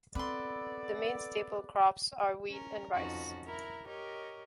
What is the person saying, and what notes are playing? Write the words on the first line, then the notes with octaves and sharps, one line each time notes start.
The main staple crops are wheat and rice.
B3 C4 A4 B4 D5 C6
C#4 A#4
F2 C#4 D#4 F4 F#4 A5
E4 A#4 A#5
G4 A#4 C#5 D#5